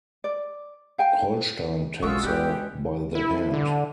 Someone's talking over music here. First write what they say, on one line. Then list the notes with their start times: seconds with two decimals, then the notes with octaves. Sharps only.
Holstein takes her by the hand.
0.24 D5
0.98 F5 G5 G#5
2.02 B1 G#3 F4 F#4 E5 C#6 D#6 E6
2.23 G3 C#4 G4 F#6
3.15 E4
3.54 D3